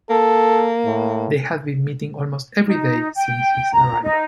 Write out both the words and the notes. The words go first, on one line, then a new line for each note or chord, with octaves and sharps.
They had been meeting almost every day since his arrival.
A#3 A4
A2
D#4
G5
A#5
D#4